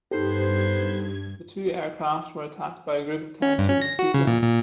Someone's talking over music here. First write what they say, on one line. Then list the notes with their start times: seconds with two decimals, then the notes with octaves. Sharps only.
The two aircraft were attacked by a group of ten German seaplanes.
0.11 G2 B3 D#4 G4 A4 C5 G#6
3.42 C#4
3.58 G2
3.70 C#4
3.82 A#6
3.99 F#4
4.14 C#3
4.27 A#2
4.42 A#2